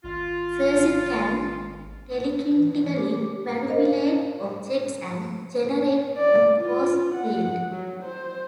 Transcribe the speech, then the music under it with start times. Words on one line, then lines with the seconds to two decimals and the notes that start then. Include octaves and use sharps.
Sersi can telekinetically manipulate objects and generate a force field.
0.04 G#1 F4
2.58 E3
2.97 G4
3.67 A#4 C5 D#5 F5
6.18 D5
6.62 F4
7.16 F#5
7.71 F#3
8.03 C5